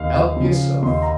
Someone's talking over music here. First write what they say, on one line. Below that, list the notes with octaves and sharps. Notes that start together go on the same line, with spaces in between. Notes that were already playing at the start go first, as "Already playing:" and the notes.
"Help yourself."
Already playing: D#2 F5
C#3 F3
D#2 C6
A#5